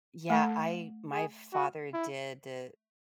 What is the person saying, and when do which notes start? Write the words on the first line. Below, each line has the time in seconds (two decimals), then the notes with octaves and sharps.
Yeah, I my father did, eh,
0.30 A3 A4
1.12 G#4
1.53 F#4
1.94 E4